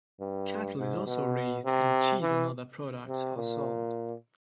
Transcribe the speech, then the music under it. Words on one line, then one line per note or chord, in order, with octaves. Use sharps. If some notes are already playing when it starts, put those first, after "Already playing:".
Cattle is also raised and cheese and other products are sold.
G2
G#2
B2
C3
E3
C3
A#2